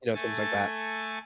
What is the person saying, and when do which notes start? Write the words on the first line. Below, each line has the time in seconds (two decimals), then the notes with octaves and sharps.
You know, things like that.
0.14 A3 A4 G#5 A6